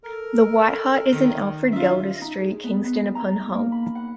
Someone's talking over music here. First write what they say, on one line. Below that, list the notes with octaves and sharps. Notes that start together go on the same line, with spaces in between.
"The White Hart" is in Alfred Gelder Street, Kingston upon Hull.
A4 A#4
D#3
D#4 F4 E5
D#4
G#4
B3
B3
A#5
A#3
B5
F#5